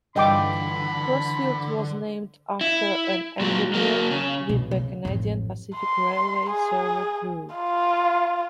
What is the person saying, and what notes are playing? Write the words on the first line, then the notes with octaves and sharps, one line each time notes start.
Crossfield was named after an engineer with the Canadian Pacific Railway survey crew.
G2 D3 E3 F4 D#5 G5 B5 D6
E4
A#2 F#3
F#3 A#3
C#3
B2
C#3
A1 F2
C6
G#4
F4